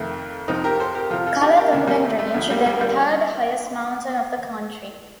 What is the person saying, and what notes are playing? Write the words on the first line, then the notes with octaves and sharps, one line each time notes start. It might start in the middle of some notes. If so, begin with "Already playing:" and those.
Kalatungan Range, the third highest mountain of the country.
Already playing: F2 C3 D#3 A3
F2 C3 F3 C4 D#4
G4 A#4
A4 C5
G4 A#4
F2 C3 F3 F4 A4
F4 A4
D#4 G4
G4 A#4
D2 C3 D#3 A#3 D4
G3 A#3
A3
A3
D2 D3 F3 A3
G3 A#3
G3 A#3
G3 A#3